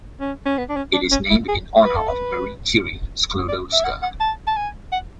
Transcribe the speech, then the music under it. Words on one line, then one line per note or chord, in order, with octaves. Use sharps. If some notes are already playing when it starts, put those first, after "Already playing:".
It is named in honour of Marie Curie-Sklodowska.
C#4
C#4
B3
D4
C#4
D4
C#4
E4
G#4
B4
A4
B4
D5
E5
F#5
F#5
A5
A5
G#5
F#5